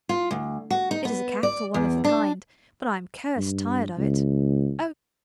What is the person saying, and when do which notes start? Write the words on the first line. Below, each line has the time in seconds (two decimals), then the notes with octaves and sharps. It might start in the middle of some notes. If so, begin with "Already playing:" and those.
It is a capital one of the kind, but I am cursed tired of it.' 'Oh!
0.09 F4
0.31 D2
0.70 F#4
0.91 D#4
1.05 B3
1.43 D5
1.74 E2
2.04 D4
3.37 G2
3.98 C#2